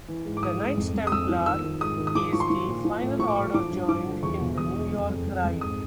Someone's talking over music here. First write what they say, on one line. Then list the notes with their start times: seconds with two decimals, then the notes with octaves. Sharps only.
The Knights Templar is the final order joined in the York Rite.
0.08 E3
0.25 G#2
0.37 D6
0.43 E3 D#6
0.60 G#2
0.77 F2
0.94 F2
1.07 D#6
1.12 F2 E6
1.29 F3
1.46 D#3 E6
1.64 D#3
1.81 G#2 D#6
1.98 D#3
2.07 D#6
2.15 F3 D6
2.33 F3 C#6
2.40 C6
2.48 F3 C#6
2.68 A#2
2.85 F3
3.02 A2
3.19 F3 C#6
3.28 D6
3.36 A2 C#6
3.54 F3 D6
3.71 G2
3.89 F3 D6
4.06 D3
4.23 E2 C#6
4.41 B2
4.58 E2 D#6
4.75 E2
4.93 F2
5.10 F2
5.27 F2
5.44 F2
5.61 G#2 D#6